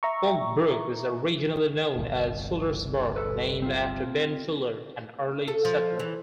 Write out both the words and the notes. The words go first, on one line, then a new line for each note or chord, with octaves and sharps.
Oak Brook was originally known as Fullersburg, named after Ben Fuller, an early settler.
E5 A#5 C#6
G1 C2 A#2
A4 B4
C4 F4
A4
F3
E3